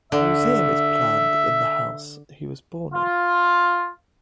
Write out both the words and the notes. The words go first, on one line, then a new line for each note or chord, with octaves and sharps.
A museum is planned in the house he was born in.
D3 E5
F4